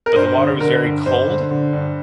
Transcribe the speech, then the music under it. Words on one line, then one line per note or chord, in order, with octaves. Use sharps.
but the water was very cold,
A#4
G2 C5
D3
D3 A#4
G2
G2 C5
D3
D3
G2